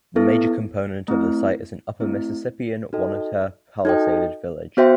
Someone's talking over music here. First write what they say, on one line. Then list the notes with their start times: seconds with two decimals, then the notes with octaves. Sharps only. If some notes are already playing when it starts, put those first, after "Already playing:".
The major component of the site is an Upper Mississippian Oneota palisaded village.
0.16 B3 E4 A4
1.08 A3 C4 E4
2.00 A3 C4 E4
2.93 D#4 F#4 A4 D#5 G5
3.85 D#4 F#4 A4 D#5 G5
4.77 B3 F#4 C5 E5 G5